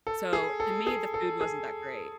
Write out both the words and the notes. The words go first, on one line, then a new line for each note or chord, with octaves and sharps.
So, to me, the food wasn't that great.
A4
G#4
A4
G#4
A4
G#4